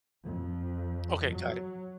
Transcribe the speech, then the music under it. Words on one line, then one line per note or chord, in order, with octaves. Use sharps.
Okay, got it.
F2
F#3